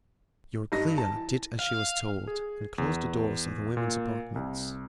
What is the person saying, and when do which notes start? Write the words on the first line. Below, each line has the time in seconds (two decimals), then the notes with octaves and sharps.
Euryclea did as she was told and closed the doors of the women's apartments.
0.72 G2 D#4 A#6
0.98 A5
1.16 E3
1.59 F5
2.27 G#4
2.78 E2
3.77 A#2
4.36 C2